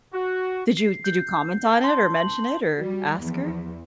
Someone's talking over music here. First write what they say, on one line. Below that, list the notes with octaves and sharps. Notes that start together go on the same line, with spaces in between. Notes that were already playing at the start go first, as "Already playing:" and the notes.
Did you did you comment on it, or mention it, or ask her?
F#4
C7
G6
A5
C6
F#7
G3 F#4
E2 F3